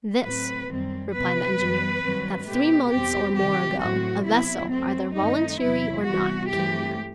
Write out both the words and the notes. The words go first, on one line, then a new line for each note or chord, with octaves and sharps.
"This," replied the engineer, "that three months or more ago, a vessel, either voluntarily or not, came here."
A2 F#3 C4 B4
F#2 D#3 G3 C4
C3 E3 B3 B4
F#2 E3 G3 B3
G2 D#3 F#3 C4
B2 A3 C4 G4
E2 B2 G3 C4 G4
C3 D#3 F#3 A3 G4
A2 F#3 C4 F#4
C3 F#3 B3 E4
F#2 F#3 A3 C4
G2 D#3 A3 C4 D#4
E2 C3 F#3 E4
C3 E3 G3 B3 F#4
G2 E3 A3 C4 G4